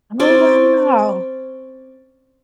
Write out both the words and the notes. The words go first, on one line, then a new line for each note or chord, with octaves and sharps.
Oh, wow.
C4 C#4 D5